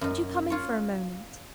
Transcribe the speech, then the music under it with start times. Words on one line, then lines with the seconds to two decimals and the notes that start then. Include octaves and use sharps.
Would you come in for a moment?
0.01 F#2 D#4
0.50 F4 C#5